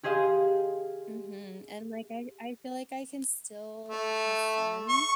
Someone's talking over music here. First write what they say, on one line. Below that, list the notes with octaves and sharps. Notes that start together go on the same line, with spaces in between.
Mhm, and, like, I- I feel like I can still have fun
G4 G#4 C5 D#5 F5
A3
C#6